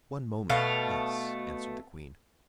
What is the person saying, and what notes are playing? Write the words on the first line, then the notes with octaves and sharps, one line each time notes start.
"One moment, yes," answered the queen.
B2 A3 F5